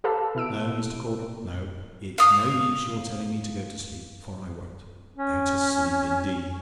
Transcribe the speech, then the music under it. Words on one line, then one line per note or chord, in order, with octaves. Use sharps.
No, Mr. Caudle, no; it's no use your telling me to go to sleep, for I won't. Go to sleep, indeed!
G4 A4 B4 F5 A5 E6
B2 E4 E6 D7
F5 D#6
C#4